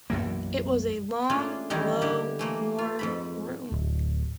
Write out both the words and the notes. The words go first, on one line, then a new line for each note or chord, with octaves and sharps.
It was a long, low, warm room.
B1 F#2 E3 A#3
A3 A#3 C#4 D4 F4 G#4
E2 D#3 G3 C#4 D#4 E4
D3 E4 G4
E3 A3 A#3
F4
F2 G#2 B5
D1